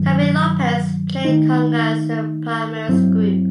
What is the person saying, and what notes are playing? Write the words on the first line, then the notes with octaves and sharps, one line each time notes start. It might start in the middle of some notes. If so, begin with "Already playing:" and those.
Tommy Lopez played congas in Palmieri's group.
Already playing: G2 D#3 F#3
D#3 A3 D#4
G2 F#3 C4 E4